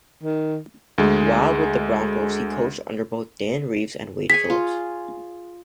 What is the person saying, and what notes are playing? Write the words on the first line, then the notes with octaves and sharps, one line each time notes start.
While with the Broncos, he coached under both Dan Reeves and Wade Phillips.
D#3
D2 G#3
G#4 C#5 G#5 B6
F4